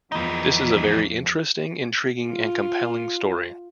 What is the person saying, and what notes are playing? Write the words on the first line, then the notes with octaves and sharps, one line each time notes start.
This is a very interesting, intriguing, and compelling story.
E2 E3 F3 D#4
F4